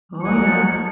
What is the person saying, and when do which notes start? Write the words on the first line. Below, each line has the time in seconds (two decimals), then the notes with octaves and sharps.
Oh, yeah.
0.25 D#4 F#5 G#5 C#7